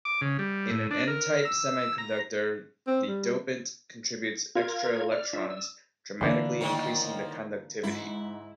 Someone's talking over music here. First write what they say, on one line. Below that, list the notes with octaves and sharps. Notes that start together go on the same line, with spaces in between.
In an n-type semiconductor, the dopant contributes extra electrons, dramatically increasing the conductivity.
D6
C#3
G3
A2
D4
A#4
E6
A#5
C4
G3
F4 A#4 G#6
D5 F6
D4 F4 E5
E6
D3 E3 A#3 D4 F4
D#3 F3 F#3
G#2 E4